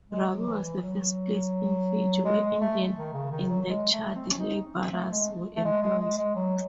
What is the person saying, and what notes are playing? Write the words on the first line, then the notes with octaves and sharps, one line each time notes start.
Rabi was the first place in Fiji where Indian indentured labourers were employed.
G#3
F#3
E3
E3
F#3
G#3
G#3
A3
D#3
C#3
D#3
F#3
G#3
A3
C4
C#4
D#4
C4
A3
G#3
A3
G#3
G#3
G#3
G#3
F#3